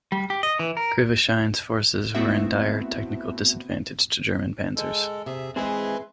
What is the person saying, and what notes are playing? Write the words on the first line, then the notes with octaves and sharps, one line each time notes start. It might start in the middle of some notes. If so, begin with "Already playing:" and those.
Krivoshein's forces were in dire technical disadvantage to German panzers.
G3
G4
D#5
E3
A#4
A3 B3 C4 E4 F#4 E5
G#3 A4
C3 G#4 E5
E3 G#3 C4 G#4 B4 E5 C6